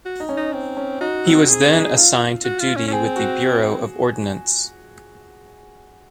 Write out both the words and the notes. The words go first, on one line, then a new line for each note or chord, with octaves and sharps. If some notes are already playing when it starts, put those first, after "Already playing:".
He was then assigned to duty with the Bureau of Ordnance.
F#4
D#4
C#4
D#4
C4
C#4
D#4 F#4
C4
G#4
D#4
F4
F#4
F4
C#4
C#4
C4 G#4
F#4